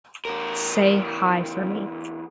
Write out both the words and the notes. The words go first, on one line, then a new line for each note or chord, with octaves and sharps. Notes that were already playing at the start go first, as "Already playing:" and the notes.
Say hi for me.
E2 A#4